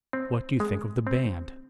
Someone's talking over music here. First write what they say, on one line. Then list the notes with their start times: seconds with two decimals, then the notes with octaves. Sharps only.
"What do you think of the band?"
0.13 C4
0.60 G#3
1.07 C4